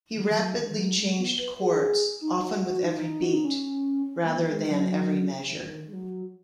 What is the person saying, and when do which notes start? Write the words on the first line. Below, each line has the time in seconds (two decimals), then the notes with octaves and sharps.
He rapidly changed chords, often with every beat, rather than every measure.
0.15 D#3
0.31 G#3
0.36 F#3
0.57 D#3
0.71 G#3
0.77 F#3
0.97 G#3
1.18 B3
1.39 B4
1.59 G#4
2.21 D#4
2.42 F#4
2.63 F#4
2.83 D#4
3.22 F#4
3.33 D#4
3.44 C#4
4.24 G#3
4.28 B3
4.48 G#3
4.68 F#3
5.51 D#3
5.88 G#3
5.93 F#3